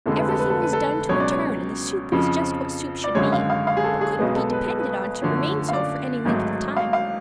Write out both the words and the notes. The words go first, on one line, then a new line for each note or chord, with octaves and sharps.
Everything was done to a turn and the soup was just what soup should be, but couldn't be depended on to remain so for any length of time.
F1 F2 D3 G#3 A4
B4
A4
B4
A4
B4
A4
C#2 B2 F#3 C#4 C#5
D5
C#5
F2 C#3 F3
D5
G#1 F#2 D3 G#3 C#5
F5
F5
F5
G#4
A4
G#4
B1 B2 G#3 B3
A4
B4
A4
B4
F#2 D3 F3 A3 C#4
F5
D5
G#1 G#2 F#3 A3
F5
F5